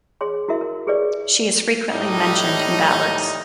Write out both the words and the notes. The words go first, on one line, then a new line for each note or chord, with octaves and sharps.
She is frequently mentioned in ballads.
G#4 C#5 C6
E4 F#4 A#4 E5
A#4
G4 G#4 B4 C#5 D5
A2 G3 D#4